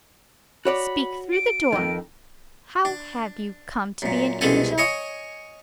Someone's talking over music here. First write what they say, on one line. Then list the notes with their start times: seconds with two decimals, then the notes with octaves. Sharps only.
Speak through the door. How have you come to be an angel?
0.65 F#4 C#5 D5 B5
1.32 D7
1.72 F2 D#3
2.85 D4
4.02 F#2 A#2
4.41 C2 F2 B2 G#3 A4 G#5
4.78 C#5 D#5 G#5 C#6 D#6